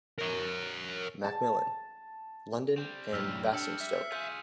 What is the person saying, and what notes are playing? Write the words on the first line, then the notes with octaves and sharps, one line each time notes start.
Macmillan: London and Basingstoke.
A#4 C#5
A5
G3 C4
F#2 A2 E6 F6 B6
D4 E6 C#7
E5
F4 G#4 G6 B6